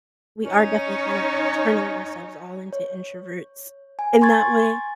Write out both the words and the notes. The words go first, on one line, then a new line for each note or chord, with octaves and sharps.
We are definitely kind of turning ourselves all into introverts in that way.
C#4 D#4 C#5
C#5
G#5
G#5 C6 C#6 G#6 A6